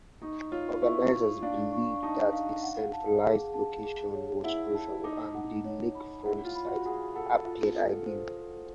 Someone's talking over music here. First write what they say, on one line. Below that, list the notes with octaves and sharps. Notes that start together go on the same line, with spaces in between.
Organizers believed that a centralized location was crucial, and the lakefront site appeared ideal.
D#4 C#6
F4 C#5
E4 C#6
C#6
D4 F5
C#6
D#4 A5
F5
F#5
A5
G#4
A5
G#4
C#5
E4 F#5
A5
D#4 D6
D#4 F#5
C#5
B5
E4 F#5
F4
B5
F#4
G#4 F#5
A4 F#5
F4
A4
C5
A4